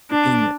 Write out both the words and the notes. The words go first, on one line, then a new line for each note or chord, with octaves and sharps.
you're being
D4